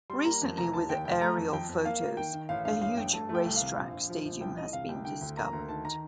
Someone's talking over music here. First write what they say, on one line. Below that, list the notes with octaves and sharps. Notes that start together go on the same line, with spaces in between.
Recently with aerial photos, a huge racetrack stadium has been discovered.
G3 C6
A#3 A#5
F2
F1 A#5
D#2 A5
D#2 G5
F1 G5
A3 A#5
F2
F2 G5
F2
A#3 F5
A#3
D#3 G5
D#3
A1 F5
G2 F5
A1 F5
G2 G5
A3 A5
A3
G5
C2
F5
C3
A#1
A#1
F3
A#1
C2 G5
C2 D#5
C3 F5
C2 G5
D3 G5
D2
A#3 A#5
D2
D#3 A5
D#3 A#5